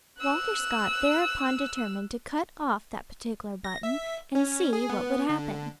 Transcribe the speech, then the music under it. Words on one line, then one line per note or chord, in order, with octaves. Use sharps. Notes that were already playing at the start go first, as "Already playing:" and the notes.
Walter Scott thereupon determined to cut off that particular button, and see what would happen.
E6 F#6
A#6
E5
C#4
G#4
B3
D3